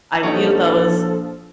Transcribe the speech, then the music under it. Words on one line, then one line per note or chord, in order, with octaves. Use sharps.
I view those,
A#1 F3 F#3 C#4 D#4 A4